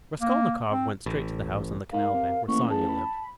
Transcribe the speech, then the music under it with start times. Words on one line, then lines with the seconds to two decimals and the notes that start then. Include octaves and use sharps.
Raskolnikov went straight to the house on the canal bank where Sonia lived.
0.21 A#3
0.72 C4
1.06 A1
1.93 G#2 A#4 F5
2.14 C3
2.48 A1 A#3 C#6
2.71 G#4 A5
2.89 B5